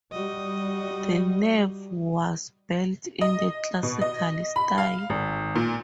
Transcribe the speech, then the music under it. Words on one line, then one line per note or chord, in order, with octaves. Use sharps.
The nave was built in the classical style.
G3 F#4 D#5
D#5
B2
D#5
B5
F5
G#1
A#2